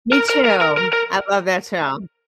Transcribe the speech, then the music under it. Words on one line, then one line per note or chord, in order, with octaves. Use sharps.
Me too, I love that too.
A#4
A#4
A#4
A#4
A#4
A#4